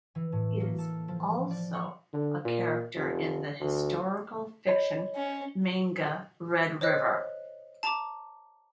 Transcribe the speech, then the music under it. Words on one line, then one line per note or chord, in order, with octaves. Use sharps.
He is also a character in the historical fiction manga "Red River".
E3
A2
A#3
A4
F3
D5
C#6
D3
A#2
F1
D2
C#5 D#5 B5
C#4
C5 C#5 D#5 F#6
A5 A#5 D6